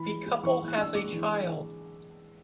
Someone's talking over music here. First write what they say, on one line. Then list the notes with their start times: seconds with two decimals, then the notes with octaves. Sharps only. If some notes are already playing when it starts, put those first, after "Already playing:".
The couple has a child.
Already playing: E3 B5
0.09 G#3
0.26 G#3
0.43 E3 C#6
0.61 E3
0.68 F#6
0.78 D4 E6
0.95 G#3 D6
1.12 E3